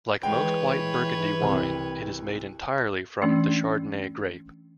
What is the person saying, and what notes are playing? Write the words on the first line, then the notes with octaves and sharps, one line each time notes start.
Like most white Burgundy wine it is made entirely from the Chardonnay grape.
E3 G#3 B4 C#5 G5
C2
E3 A3 C#4 D4